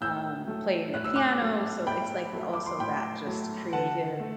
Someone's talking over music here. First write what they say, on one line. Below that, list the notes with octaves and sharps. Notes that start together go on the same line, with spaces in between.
um, playing the piano, so it's like also that just creative
A2 E6 G6
F#3 A3
A2 F#6
E6
D6 F#6
F#3 A3
A2 G5 B5
F#3 A3
D6
C6
A2 G5 B5
F#3 A3
D3 F#5 A5
A3